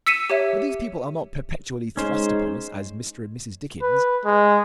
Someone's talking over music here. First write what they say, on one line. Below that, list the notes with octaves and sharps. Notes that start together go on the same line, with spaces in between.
But these people are not perpetually thrust upon us as Mr. and Mrs. Dickens.
E6 B6 C#7 D#7 E7
G4 C#5 E5
G#3 C#4 D#4 C5
B4
G#3